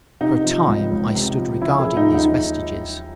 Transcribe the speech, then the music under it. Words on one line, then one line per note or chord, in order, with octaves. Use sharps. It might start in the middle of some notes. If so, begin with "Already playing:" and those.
For a time I stood regarding these vestiges. . . .
C3 D#4
F3
C#2
C#2
C3
F3
C#3 E4
G#4
F3
D#4
D#2
D#4